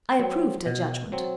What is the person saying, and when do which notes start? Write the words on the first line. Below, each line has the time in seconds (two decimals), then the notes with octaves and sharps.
I approved her judgment.
0.19 F#3 C4
0.66 B2
1.12 F#3 C4